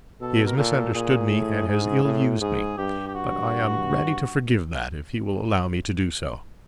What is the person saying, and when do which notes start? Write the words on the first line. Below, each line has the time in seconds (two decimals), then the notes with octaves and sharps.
He has misunderstood me and has ill-used me. But I am ready to forgive that, if he will allow me to do so.
0.21 B2 A4
0.47 A#4
0.57 A#2 A4
0.94 A#2 G#4
1.31 A2
1.68 G#2
2.05 A2
2.41 G#2 G#4
2.78 G2 G4
3.08 G4
3.15 F#4